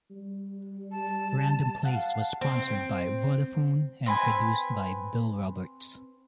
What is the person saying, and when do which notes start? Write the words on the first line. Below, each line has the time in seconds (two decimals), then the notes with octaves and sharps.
Random Place was sponsored by Vodafone and produced by Bill Roberts.
0.11 G3
0.92 A5
1.85 F5 F#5 A5
2.41 C4
4.06 C4 B4 G#5